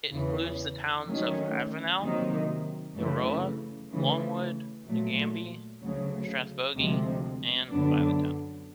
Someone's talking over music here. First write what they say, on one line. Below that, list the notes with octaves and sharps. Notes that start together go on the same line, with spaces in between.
It includes the towns of Avenel, Euroa, Longwood, Nagambie, Strathbogie and Violet Town.
E2 C#3 E3
D#3 F#3 A3 C#4
C3 D#3 F#3 A#3 D#4
F#2 C#3 E3 A3
C#3 E3 A3
A#2 F#3 A3
D2 C#3 F#3
D2 C3 F3 G#3
F#2 D3 F#3 B3 D4